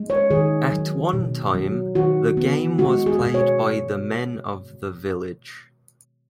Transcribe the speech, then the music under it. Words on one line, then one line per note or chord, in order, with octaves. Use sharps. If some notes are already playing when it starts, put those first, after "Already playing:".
At one time the game was played by the men of the village.
Already playing: G#3
C#5
D#3 G#4
F#3
B2
F#3
D#3 F#4
B3
G#3 F#4
G#4
B2
C#5